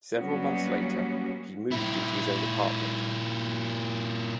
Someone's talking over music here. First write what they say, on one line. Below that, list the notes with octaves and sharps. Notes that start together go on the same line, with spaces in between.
Several months later, he moved into his own apartment.
F#3 G3 A#3 B3 C#4 F#4
A#2 E4